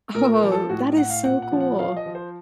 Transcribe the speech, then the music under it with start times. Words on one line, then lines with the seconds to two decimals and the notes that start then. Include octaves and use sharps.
Oh, that is so cool.
0.15 A#2 A#4
0.34 A#4
0.43 F3
0.52 A4
0.69 A2 F#4
0.96 A2 F#5
1.10 F5
1.24 A#2 F#5
1.42 F#5
1.52 F3
1.60 F#5
1.79 F3 F5
1.97 D#5
2.06 F3
2.15 C5